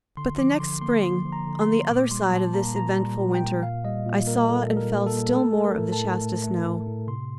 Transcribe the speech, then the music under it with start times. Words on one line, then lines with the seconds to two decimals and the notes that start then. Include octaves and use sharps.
But the next spring, on the other side of this eventful winter, I saw and felt still more of the Shasta snow.
0.17 D3 C6
0.39 F3 D6
0.60 D3 C6
0.81 A#3 C6
1.03 D3 C6
1.25 F3
1.32 A#5
1.46 D3
1.61 C6
1.68 A#3
1.89 A#2 D6
2.11 G3 C6
2.33 A#2 A5
2.54 A#3 A#5
2.76 A#2 A#5
2.97 G3
3.19 A#2
3.34 G5
3.41 A#3
3.62 A#2 F5
3.84 G3 D#5
4.06 A#2
4.27 A#3 A#4
4.49 A#2 A4
4.70 G3
4.77 A#4
4.92 A#2
5.06 A4
5.14 A#3
5.35 A3 A4
5.57 A3
5.64 A#4
5.79 A2
5.92 A5
6.00 A2
6.21 A3
6.43 A3
6.65 A2
6.86 A2
7.08 C3 C6